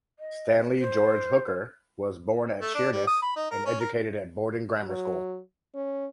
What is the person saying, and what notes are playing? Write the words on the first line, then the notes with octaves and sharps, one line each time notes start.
Stanley George Hooker was born at Sheerness and educated at Borden Grammar School.
D#5
C5
A3
D4
G3
D#6
B5
D#4
A#4
C#4
A#4
F#3
C#4